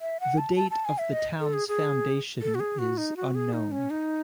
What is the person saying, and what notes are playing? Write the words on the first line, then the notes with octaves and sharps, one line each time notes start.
The date of the town's foundation is unknown.
E5
F#5
A5
A5
A5
G#5
E5
D#5
A4
G#4
G#4
A4
F#4
G#4
F#4
D#4
F#4
G#4
D#4
C#4
D#4